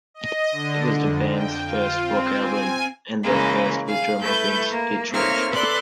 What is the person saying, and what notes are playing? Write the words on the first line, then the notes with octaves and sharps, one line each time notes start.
It was the band's first rock album, and their first with drummer Vince Ditrich.
D#5
D3
F2
G5
F4
C4
G#5
C#3 E3 G#3 A#3
G#4 F5
A3 E4 B4 G6
A#3
A3 A#3 C4 D#4 C#5 F6
A4 B4 D5 C6 F#6